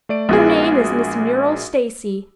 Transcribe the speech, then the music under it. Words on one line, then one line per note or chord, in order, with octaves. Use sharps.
Her name is Miss Muriel Stacy.
A3 D5 D7
A#1 G#3 B3 F4 F#4 G#4